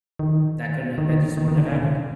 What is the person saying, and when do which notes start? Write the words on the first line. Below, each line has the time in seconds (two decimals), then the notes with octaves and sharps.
that couldn't, uh that just wouldn't have happened,
0.19 D#3
0.98 D#3
1.10 D#3
1.18 D3
1.37 D#3
1.48 D#3
1.57 D3
1.72 D3
1.77 C3